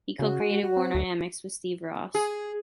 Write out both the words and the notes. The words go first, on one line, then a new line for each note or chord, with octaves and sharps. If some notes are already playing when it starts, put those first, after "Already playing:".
He co-created Warner-Amex with Steve Ross.
C#3 F#4
G#3
F#4
C4
D2
G#4